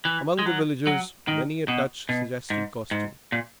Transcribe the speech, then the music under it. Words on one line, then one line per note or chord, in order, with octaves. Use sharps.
Among the villagers many a touch suggested costume.
E3
G#3
F#3
F#3
D#3
B2
B2
G#2
G#2
A#2